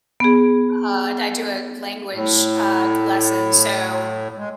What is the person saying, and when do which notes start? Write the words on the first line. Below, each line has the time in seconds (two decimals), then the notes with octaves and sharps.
Uh, du I do a language, uh, lesson, so,
0.20 B3 G#4
2.13 A2
4.38 G#3